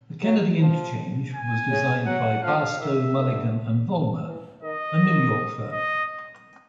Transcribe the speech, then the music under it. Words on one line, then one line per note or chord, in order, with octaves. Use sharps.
The Kennedy Interchange was designed by Barstow, Mulligan and Vollmer, a New York firm.
F#3
F3
G#5
C#3
F#3 F#5
F3 F5
D#3 E5
D3
E3
D#3 D#5
D#3
D#5